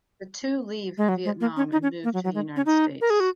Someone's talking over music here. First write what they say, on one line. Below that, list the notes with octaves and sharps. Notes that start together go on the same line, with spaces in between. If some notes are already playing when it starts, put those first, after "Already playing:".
The two leave Vietnam and move to the United States.
G#3
F#3
G#3
A#3
C#4
D#4
C#4
A#3
F#3
F#3
G#3
C#4
D#4
A#4
G#4
F#4